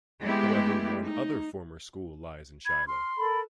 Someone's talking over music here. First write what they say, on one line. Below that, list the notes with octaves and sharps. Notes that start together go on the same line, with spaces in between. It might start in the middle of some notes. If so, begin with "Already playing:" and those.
However one other former school lies in Shiloh.
G#3 A3 B3 E4 G4
D#4
B5 G#6
C6 F6
A4 A#4 B5